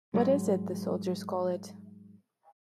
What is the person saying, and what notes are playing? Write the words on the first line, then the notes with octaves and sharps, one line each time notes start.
What is it the soldiers call it?
G#2 F#3 G#3